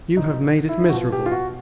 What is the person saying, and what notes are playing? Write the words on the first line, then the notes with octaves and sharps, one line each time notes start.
You have made it miserable.
B2 D#4
E4
F#4
B2 F4
G4
F4
F#4